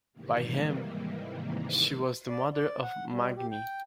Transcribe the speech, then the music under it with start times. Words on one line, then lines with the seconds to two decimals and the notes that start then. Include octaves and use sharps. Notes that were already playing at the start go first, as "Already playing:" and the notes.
By him she was the mother of Magni.
0.13 G#2 C3 D#3 E3 G3 A#3
2.30 D5
2.53 D5
2.82 F#5
3.09 G3
3.36 G4
3.52 G5